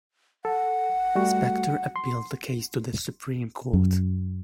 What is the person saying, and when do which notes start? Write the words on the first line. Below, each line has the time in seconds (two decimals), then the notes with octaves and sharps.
Spector appealed the case to the Supreme Court.
0.45 A4 F#5
1.15 G3 A3 F#4
1.96 C6
3.73 F#2